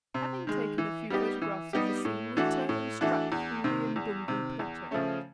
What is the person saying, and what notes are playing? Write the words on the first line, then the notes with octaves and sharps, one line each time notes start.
Having taken a few photographs of the scene, we turned and struck through the N'dungu Plateau.
C3
D#3 G#3
E3
G3 B3 D#4 G4
E3
G3 B3 D#4 G4
A2
E3 A3 D4 F#4
A2
E3 A3 D4 F#4
E2
C3 D#3
E2
C3 D#3
E2
C#3 F3 A3 C#4